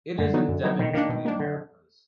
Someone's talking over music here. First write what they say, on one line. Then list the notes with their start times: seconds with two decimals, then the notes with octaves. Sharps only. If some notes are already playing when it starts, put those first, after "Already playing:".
It is endemic to the Americas.
0.18 F#2 D3
0.33 D#3 F#3 B3 D#4
0.48 F#2
0.63 D#3 F#3 B3 D#4
0.79 B2 D#3
0.94 D#3 A#3 D4
1.09 B2
1.25 A#3 D4
1.39 D3